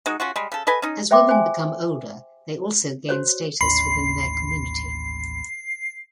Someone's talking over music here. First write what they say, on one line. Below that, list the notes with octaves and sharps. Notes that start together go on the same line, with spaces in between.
As women become older they also gain status within their community.
G#3 D#4 F#4
C#4 F4 F#4
G3 G#3
C#3 A4
A4 B4 D#5 G#5
C#4 D#4
C5 E5 G5 C6 D6
C5 G#5
F#4 C5 C#5
A1 D#2 D4 B5 C6 C7